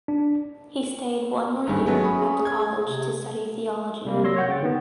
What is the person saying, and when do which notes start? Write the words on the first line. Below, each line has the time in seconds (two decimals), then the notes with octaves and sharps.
He stayed one more year at the college to study theology.
0.08 D4
1.67 G#1 G2 C#4 G#4
1.86 F#3 A3 B3 C#4
2.04 B5
2.45 G#6
2.85 C3
4.05 C3 G3 A#3
4.23 F#3 C#5 C6 E6 A#6
4.36 C#5 F#5 G6
4.48 C#3 G5 A6
4.63 D#3 B3